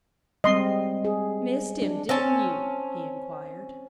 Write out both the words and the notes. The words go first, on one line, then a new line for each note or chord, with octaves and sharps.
"Missed him--didn't you?" he inquired.
G3 G#3 C4 D#5 C6
G#4
D4
C4 C#4 A5